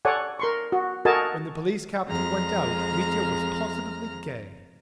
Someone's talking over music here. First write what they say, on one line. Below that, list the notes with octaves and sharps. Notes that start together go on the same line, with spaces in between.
When the police captain went out, Mitya was positively gay.
A4 C#5 D5 F#5 G#5
A#4 C6 C#6
F#4
F#4 A4 A#4 D#5 G#5 A5
F2 G#3 A#5 F6